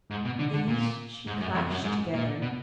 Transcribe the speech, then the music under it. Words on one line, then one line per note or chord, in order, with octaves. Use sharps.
These she clashed together.
G#2
B2
D3
D3
A#2
G#2
F#2
F2
F#2
G#2
A#2
B2